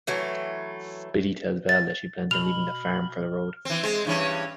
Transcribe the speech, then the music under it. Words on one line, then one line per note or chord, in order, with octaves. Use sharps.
Billie tells Val that she plans on leaving The Farm for the road.
E3 F#3 A3
A6
B2 B5 F6 F7
E3 C4
G#3 C4
G2 E3 C#4